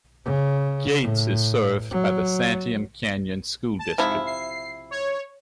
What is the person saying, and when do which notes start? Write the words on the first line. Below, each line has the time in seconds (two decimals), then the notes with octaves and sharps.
Gates is served by the Santiam Canyon School District.
0.25 C#3
1.01 A2
1.90 F#3
3.79 A5
3.98 G#2 C3 F3 E4
4.26 C7
4.91 C#5